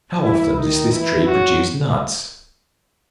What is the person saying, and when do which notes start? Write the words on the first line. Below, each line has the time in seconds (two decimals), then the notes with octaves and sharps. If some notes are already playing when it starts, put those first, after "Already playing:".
How often does this tree produce nuts?
0.23 E3 E4
0.57 D#3 D#4
0.92 E3 E4
1.27 F#3 F#4